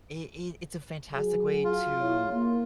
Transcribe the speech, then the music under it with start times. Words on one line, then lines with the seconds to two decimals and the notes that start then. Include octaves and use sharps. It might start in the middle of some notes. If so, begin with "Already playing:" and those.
It it it's a fantastic way to
1.12 F#3 G#4
1.64 F4
1.99 E4 C#5
2.31 A#3